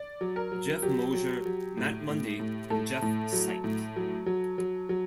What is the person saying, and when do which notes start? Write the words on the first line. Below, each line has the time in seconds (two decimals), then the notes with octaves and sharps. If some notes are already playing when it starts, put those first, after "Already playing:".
Jeff Mosier, Matt Mundy and Jeff Sipe.
Already playing: D5
0.21 F#3
0.36 A#4
0.52 F#3
0.82 F#3 G4
1.14 F#3
1.45 F#3
1.77 A2
2.09 A2
2.40 A2
2.70 A2 A4
3.02 A2
3.33 F#3
3.64 A2
3.96 F#3
4.26 F#3
4.58 F#3
4.89 F#3